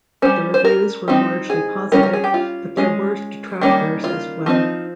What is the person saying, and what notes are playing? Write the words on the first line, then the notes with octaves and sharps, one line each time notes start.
The reviews were largely positive, but there were detractors as well.
G3 C#4 C5
C5
A#4
G3 C4 D#4
G#4
G3 C#4 A#4
A#4
G#4
G4
F4
G#3 C#4
D#3 G3 A#3 C#4
F4
F3 C4 D#4